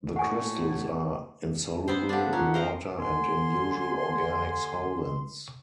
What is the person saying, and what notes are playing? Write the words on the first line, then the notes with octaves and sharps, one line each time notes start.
The crystals are insoluble in water and in usual organic solvents.
A2 F#4 F#5 G#5
B3 C4 C5
D4 G4 A4 F5 F#5
C#4 F4 A#5 F#6
F3 A#4 C5
D#2 D3 G#5 C6